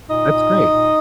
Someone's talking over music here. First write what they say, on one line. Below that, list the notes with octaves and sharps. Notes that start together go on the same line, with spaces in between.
That's great.
A#2 D#4 D#5
A#2
A#2
A#2